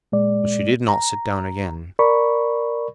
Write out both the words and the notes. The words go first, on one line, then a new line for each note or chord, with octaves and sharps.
But she did not sit down again.
A#2 G#3 D5
A#5
A#4 D5 B5 C#6